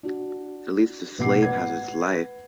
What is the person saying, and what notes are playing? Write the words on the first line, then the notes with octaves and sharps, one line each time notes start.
At least the slave has his life.
D4 F#4
A1 B2 B3 F#5 D6 C7
B4 F#5 G#6